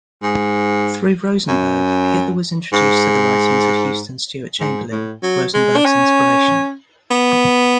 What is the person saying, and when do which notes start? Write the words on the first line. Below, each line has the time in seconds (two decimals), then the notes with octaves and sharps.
Through Rosenberg, Hitler was introduced to the writings of Houston Stewart Chamberlain, Rosenberg's inspiration.
0.23 G#2
1.48 F#2
2.73 G#2
4.60 G#2
4.92 A2
5.23 F#3
5.54 G#3
5.76 D4
5.85 C#4
7.11 B3